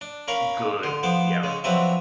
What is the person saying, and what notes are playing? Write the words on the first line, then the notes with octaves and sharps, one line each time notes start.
Good. Yep.
D4
C#4 A#4 F5 B5 C#6
D3 C6
F3 B3 C5 D6
C#3 G#3
F3 F#3 C4 D4 B4 E5